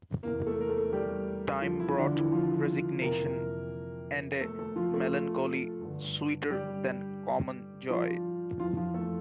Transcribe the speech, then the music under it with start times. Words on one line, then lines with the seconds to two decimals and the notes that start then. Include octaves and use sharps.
Time brought resignation, and a melancholy sweeter than common joy.
0.23 E2 C3 E3 A#3 A#4
0.47 A3 A4
0.61 A#4
0.69 A3 A4
0.93 G3 G4
1.62 F3 F4
1.79 E3 E4
1.98 D3 D4
2.14 E3 E4
2.32 F3 F4
3.02 F2 C3 E3 A#3 A#4
4.41 A3 A4
4.58 A3 A4
4.76 F3 F4
4.94 A3 A4
5.81 G2 D3
6.51 G3 G4
7.90 F3 F4
8.59 F2 E3 F3 F4
8.77 F3 F4
8.94 A3 A4